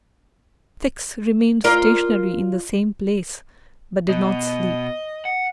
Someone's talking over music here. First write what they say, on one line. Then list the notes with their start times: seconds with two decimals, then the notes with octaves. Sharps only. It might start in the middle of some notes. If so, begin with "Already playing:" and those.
Fix remained stationary in the same place, but did not sleep.
1.64 F4 A#4 D5
4.09 B2 D#5
5.25 F#5